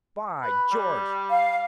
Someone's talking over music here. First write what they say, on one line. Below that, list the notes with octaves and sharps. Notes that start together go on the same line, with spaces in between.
By George!
B4
G3
F5